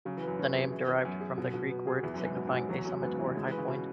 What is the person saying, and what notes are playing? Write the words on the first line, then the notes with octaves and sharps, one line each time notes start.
The name derived from the Greek word signifying a summit or high point.
C#3 F#3
E3
B4
F#2
B2 C#4
G#4
E3
E3
F#2 B3
G#4
B2
B2
B3
G#4
E2 E3
F#2
B4
G#2
B2 B3
G#2
F#2 F#4
E2 F#3
F#2 F#3
G#2 B3
C#3
E3 E4
F#3 G#3
E3
B4
C#3
B2 C#4